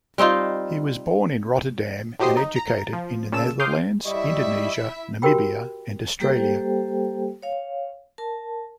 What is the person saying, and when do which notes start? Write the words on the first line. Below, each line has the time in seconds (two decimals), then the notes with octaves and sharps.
He was born in Rotterdam, and educated in the Netherlands, Indonesia, Namibia and Australia.
0.18 G3 C4 D#4 F4
2.19 A2 F#3 G4 C5 D#5 C7
2.37 D#4
2.56 A#5
2.93 F3
3.32 A#2 C#3 A5 E6 E7
3.60 C6 D6 D#6 F6 G6 C7
4.05 G3 E4 D#5 E5 C#6
5.22 F#4 G4 A#4 G5 B5
6.20 G3 A#3 G4 A4 C5 G5
7.42 C#5 F5
8.18 A#4 A5